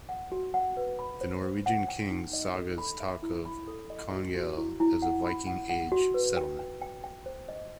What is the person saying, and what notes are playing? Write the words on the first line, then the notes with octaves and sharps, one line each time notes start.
The Norwegian Kings' sagas talk of Konghelle as a Viking Age settlement.
F#5
F#4
F#5
B4
B5
C5
C5
F#5
G5
D#4
D#5
A4
B5
E5
E4
B5
A4
D#5
F#4
F#4
E4
E4
F#5
B5
F#5
F#5
F#4
B4
G5
G5
G5
G5
C5
D#5